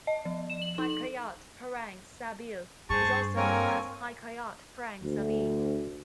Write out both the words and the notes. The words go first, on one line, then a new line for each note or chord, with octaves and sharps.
Hikayat Perang Sabil is also known as "Hikayat Prang Sabi".
D#5
F3
E7
F#7
D#4
F#7
G2 G#4 C5 A5 C#6
A#3 C4 A4 A#4 C#5 G#5
D2